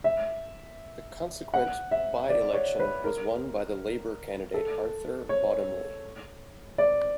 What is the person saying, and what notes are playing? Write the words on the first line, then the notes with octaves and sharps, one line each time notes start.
The consequent by-election was won by the Labour candidate Arthur Bottomley.
E5
F#5
E5
D5
C#5
B4
A#4
A4
C#5
D5